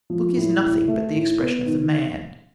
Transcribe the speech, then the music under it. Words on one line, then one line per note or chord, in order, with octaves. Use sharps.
The book is nothing but the expression of the man.
F3
A2
A2
A3
A2
B3
D#3